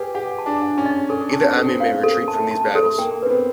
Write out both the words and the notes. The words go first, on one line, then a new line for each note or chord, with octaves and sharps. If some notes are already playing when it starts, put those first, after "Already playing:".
Either army may retreat from these battles.
Already playing: G4 G#4 B4
G4 F#5
A5
D4
F#5
C#4
D#5
C#4 A4
D4
C#4
A5
C4
A4
C4
B3
F5
A#3 A4
A5
A3
A5
A3
A4
A#3 G5
C4 B4
B3